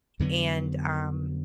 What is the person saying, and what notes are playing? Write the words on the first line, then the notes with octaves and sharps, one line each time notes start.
and, um,
F2 D3 F#3 B3